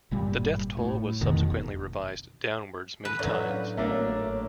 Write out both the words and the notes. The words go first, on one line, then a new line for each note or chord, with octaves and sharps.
The death toll was subsequently revised downwards many times.
G1 A#2 G3
A2
F1 F2 B2 D#3
B4
A2 F#3 B4 C#5 D5
C#4 D4 F5
G#1 A3 A#3 D4 C#5